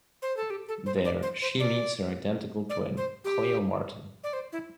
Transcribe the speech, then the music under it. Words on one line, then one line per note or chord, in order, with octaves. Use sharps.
There, she meets her identical twin, Clio Martin.
C5
A4
G4
A4
C5
D5
C5
C5
D5
D5
C5
G4
D5
C5
E4